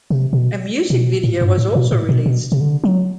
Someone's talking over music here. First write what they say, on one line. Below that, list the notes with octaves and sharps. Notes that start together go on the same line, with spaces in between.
A music video was also released.
C3
B2
B2
A2
G2
A2
B2
A2
B2
B2
C3
D3
F#3